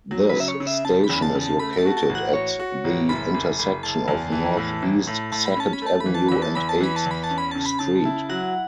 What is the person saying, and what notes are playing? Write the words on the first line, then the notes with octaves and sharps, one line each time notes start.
This station is located at the intersection of Northeast Second Avenue and Eighth Street.
F#3
B4
C#3 E5
C#5
C#3
E5
C#3 A5
B5
E2
A5
C#3
A5
A3 B5
B5
A5
F#4
A5
A1
F#5
F#4 C#5
F#4
A1
F#1 B5
F#1
F#1
F#1 A5
E2
E3
A2
A1
A2
A2 A5
B5
C#4 A5
B5
A3 A5
B5
E3
A5
E2 B5
A5
E2 B5
A5
E3 B5
A5
E2 B5
A5
C#4
B5
C#3 A5
B5
C#3 A5
E4
F#3 F#5